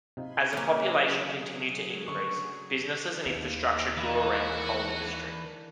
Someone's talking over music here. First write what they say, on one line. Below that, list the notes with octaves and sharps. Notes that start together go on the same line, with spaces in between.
As the population continued to increase, businesses and infrastructure grew around the coal industry.
C3 D#4 F4 G#5 B5 C6
C#3 F#3 A#3 C4 G#4
D3 A3 A#4 C#6
D#2
E3 G#3 A#3 E4 F#4
D4